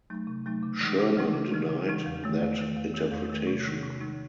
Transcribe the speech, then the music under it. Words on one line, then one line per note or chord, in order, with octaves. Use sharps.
Sherman denied that interpretation.
F#3 A3 D#4
C3
F#3 A3 D#4
C#3
E3 G#3 D#4
C#3
E3 G#3 D#4
C#3
E3 G#3 D#4
C#3
E3 G#3 D#4
E2
D#3 A3
E2
D#3 A3
E2
D#3 A3
E2
D#3 A3
C3
D#3 G#3 D#4
C3
D#3 G#3 D#4